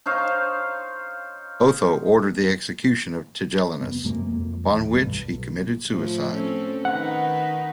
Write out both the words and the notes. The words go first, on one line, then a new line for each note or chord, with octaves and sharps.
Otho ordered the execution of Tigellinus, upon which he committed suicide.
D#4 C5 C#5 F5
F#1 B3
F#2 C3 G#3 A#3
F2
D#2 A2
B1 G2
B1
A2 F3
C4 C#4 A4
D#3 D#4 B4 F#5